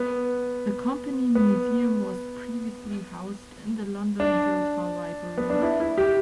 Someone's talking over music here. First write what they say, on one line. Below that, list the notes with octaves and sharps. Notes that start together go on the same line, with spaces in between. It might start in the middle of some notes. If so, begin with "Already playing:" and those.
The Company museum was previously housed in the London Guildhall Library.
Already playing: B3
B3
D4
B3
D4
E4
E4
G4